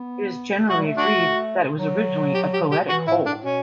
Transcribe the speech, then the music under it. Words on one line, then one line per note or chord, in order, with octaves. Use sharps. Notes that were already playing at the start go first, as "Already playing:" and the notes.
It is generally agreed that it was originally a poetic whole.
Already playing: B3
A3 F#4
G3
A3
D4 F#4
F#3
G4
G4
G4
E3 F#4
A2 E4
A2 D4
B2 C#4